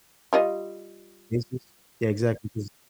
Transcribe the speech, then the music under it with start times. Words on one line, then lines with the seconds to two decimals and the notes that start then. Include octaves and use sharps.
this is Yeah, exactly, 'cause
0.33 G3 F4 D#5